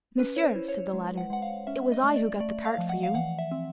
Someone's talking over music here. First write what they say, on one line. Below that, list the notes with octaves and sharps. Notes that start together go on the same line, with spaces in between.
"Monsieur," said the latter, "it was I who got the cart for you."
C#4 B4
C#5
C5
E4
C#5
G#3
F#5
G#3 F#5
F5
C#4 E5
D#5
A3
D5
A3 D5
F5
F3
F#5
F5
E3 F#5
E5
C4